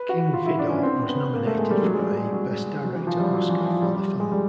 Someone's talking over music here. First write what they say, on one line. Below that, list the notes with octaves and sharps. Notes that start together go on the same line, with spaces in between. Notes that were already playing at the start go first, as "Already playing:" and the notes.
King Vidor was nominated for a Best Director Oscar for the film.
Already playing: B4
F#4
F4
E4
D4
C#4
C4
C4
B3
A#3
A3
G#3
G3
F#3
G#3
G3
G#3
F#3
F#3
E3
F3
G3
F#3
E3
F3
G3
G3
G#3
G3